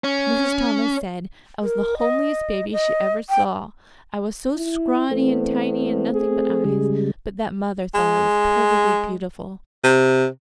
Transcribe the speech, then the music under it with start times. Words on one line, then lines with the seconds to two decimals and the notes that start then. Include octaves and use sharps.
Mrs. Thomas said I was the homeliest baby she ever saw, I was so scrawny and tiny and nothing but eyes, but that mother thought I was perfectly beautiful.
0.04 C#4
1.63 A#4
1.98 D#5
2.72 D#5
3.29 G5
4.56 E4
5.11 E2 A3 C4
6.13 G#4
6.64 C#3 G3 G#3
7.94 G#3
9.84 C3